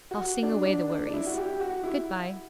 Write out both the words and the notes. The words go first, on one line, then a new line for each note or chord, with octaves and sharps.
I'll sing away the worries, Good-bye.'
F#4
D4
D4
D4
D4
E4
F#4
G4
F#4
E4